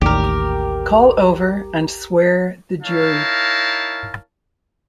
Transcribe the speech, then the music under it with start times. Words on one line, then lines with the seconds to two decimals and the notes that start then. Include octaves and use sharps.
Call over and swear the jury!
0.02 A1 D#2 G4 A#4
2.83 D#4 E4 A#4 C#5 F5 A5